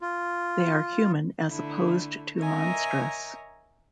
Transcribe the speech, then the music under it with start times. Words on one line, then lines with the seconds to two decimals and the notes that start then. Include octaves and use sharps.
They are human as opposed to monstrous.
0.01 F4
1.48 D3 A3 E4
2.39 A#4 C#5 D#5 E5 G#5 A#5